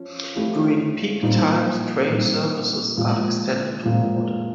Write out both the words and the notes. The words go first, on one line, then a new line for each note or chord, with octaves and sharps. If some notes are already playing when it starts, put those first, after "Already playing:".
During peak times train services are extended to Morden.
Already playing: F3 C#4
F3 A3 C#4 E4 G4
A#2 G3 C4 D#4
A#2 G3 C4 D#4
A#2 F3 G#3
A#2 F3 G#3